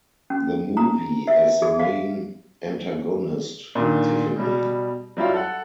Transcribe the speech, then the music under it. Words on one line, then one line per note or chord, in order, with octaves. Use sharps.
The Movie as the main antagonist, Tiffany.
C#4
A#5
E5
G#4
F5
A#2 D3 D#3
B2 G3
F#3 G3 E4 F4
A4 F#5